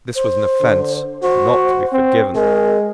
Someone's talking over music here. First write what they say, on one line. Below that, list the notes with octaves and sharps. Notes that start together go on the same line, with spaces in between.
This was an offence not to be forgiven.
C5
D3
F#4 C5
C4
G#3 A#4